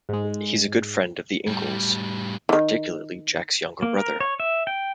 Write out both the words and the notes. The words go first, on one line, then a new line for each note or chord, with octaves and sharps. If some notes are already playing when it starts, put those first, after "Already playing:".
He's a good friend of the Ingles', particularly Jack's younger brother.
G#2 G#3
A2 G3
D#3 E3
A#3
A#4
C#5
E5
G5